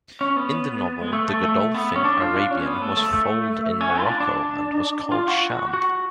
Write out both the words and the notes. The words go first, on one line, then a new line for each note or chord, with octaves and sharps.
In the novel, the Godolphin Arabian was foaled in Morocco and was called Sham.
C#4
B3
G#3
A3
A3
A3
B3
C#4
D4
F4
D4
C#4
B3
A3
A3
A3
C#4
B3
F4
D4
D4
F4
F#4
F#4